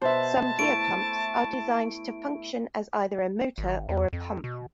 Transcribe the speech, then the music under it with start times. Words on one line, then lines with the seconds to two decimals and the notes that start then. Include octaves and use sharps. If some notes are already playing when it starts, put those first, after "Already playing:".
Some gear pumps are designed to function as either a motor or a pump.
0.02 B2 C5 E5 A5 B5
0.59 A3 E4 A4 D7
3.58 G#1
3.89 E2
4.13 F2
4.44 B2